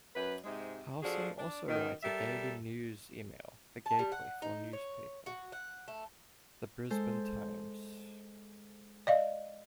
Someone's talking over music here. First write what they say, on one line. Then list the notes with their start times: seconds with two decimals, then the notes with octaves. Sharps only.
Howson also writes a daily news email The Gateway for newspaper "The Brisbane Times".
0.14 F#2 B4
0.44 G#2 C3 G#3
1.03 F3 D4 F#4 G#4 A4
1.38 D4
1.68 F#2 B2 D#3
2.03 G3 A4 A#4 E5
3.86 A5
3.99 G3
4.12 F#5
4.42 D#4
4.73 C#5
5.26 F#4
5.52 F#5
5.88 A3
6.90 G#3 A4 C5
9.07 D5 D#5 F5